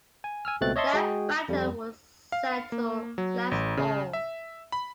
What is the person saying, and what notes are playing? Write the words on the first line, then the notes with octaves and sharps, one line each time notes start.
That battle was settled last fall.
G#5
G#5 E6 F6
C#2 B2 A3 C4 F#6 A6
C#5 D#5 E5 A5 C6 C#6
G#3 F#4 G#4 G5
F2 G3
F5
A#3
F#3
A1
C#3
E5
B5